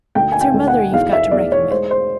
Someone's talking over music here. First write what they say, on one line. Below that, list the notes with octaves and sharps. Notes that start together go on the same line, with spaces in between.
It's her mother you've got to reckon with.
D2 G5
G#5
G5
D2
F#5
E2 F5
E5
E2 D5
C#5
G#3 C5
C5